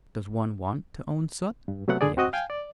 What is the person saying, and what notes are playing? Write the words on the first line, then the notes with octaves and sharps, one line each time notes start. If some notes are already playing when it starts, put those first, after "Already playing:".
"Does one want to own soot?" he asked.
G2
C3 F#3 A3 B3 F#5
D3 G#4 D5
C4 F#4 D#5 D#6
F5 G5 G#5
D5